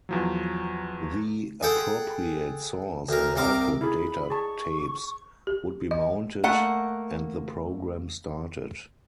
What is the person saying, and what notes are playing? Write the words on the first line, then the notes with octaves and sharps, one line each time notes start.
The appropriate source and output data tapes would be mounted and the program started.
E2 F3 F#3
G#4 A4 F#5 G5
D2 A#4
C2 C3 A#4 D6
E4 G#4 B5
G#4 A5 C#6
G4
D#5
A3 A#3 F#5